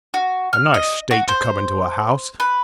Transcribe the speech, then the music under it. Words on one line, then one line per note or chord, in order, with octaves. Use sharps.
A nice state to come into a house!
F#4
F6
D#5
F#4
C5
B4